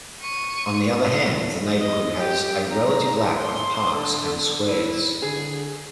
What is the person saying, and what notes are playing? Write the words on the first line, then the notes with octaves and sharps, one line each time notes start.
On the other hand, the neighborhood has a relative lack of parks and squares.
C#6 D#7
D#5
G4
A#5
C6
D3
E4
D3 G#4